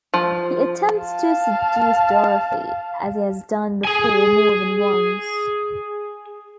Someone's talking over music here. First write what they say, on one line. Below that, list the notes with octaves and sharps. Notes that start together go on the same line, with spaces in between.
He attempts to seduce Dorothy, as he has done before more than once.
F3
F5 A5
G#4 G#5